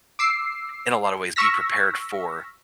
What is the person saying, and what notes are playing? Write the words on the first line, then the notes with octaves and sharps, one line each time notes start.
in a lot of ways, be prepared for
D6 E6 C7
C#6 E6 F6 A#6 B6